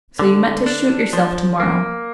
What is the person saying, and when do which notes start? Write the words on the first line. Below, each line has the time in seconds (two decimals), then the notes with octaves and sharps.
So you meant to shoot yourself to-morrow!
0.19 D3
0.66 D4
1.13 F3
1.60 A#3